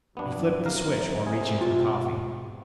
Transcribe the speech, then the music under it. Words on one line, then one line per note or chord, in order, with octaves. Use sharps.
He flipped the switch while reaching for the coffee.
G2 F3 F#3 B3 D4
C3 A#4 F5
G#4
G#2 B2 F4